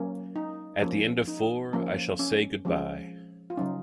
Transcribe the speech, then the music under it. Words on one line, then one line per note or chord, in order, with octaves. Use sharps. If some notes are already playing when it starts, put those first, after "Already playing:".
At the end of four, I shall say good-bye.
Already playing: F#3 A#3 C#4
D#4
F3 A#3 C#4
D#4
F3 A#3 C#4
C#4
F3 G#3 C#4
F4
C#3 F#3 C#4 D#4